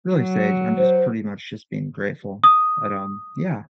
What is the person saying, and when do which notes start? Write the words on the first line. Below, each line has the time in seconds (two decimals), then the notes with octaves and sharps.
really say, I'm just pretty much just being grateful, but, um, yeah,
0.14 F#3
0.78 C5
2.44 D#6